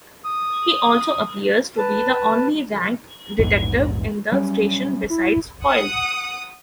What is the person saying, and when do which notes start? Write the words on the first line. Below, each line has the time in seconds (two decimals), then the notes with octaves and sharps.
He also appears to be the only ranked detective in the station besides Foyle.
0.25 D#6
1.78 B4 A5
3.38 A#1 E2 G#2
4.31 F#3 G3 C#4
5.10 E4
5.66 F#5 D#6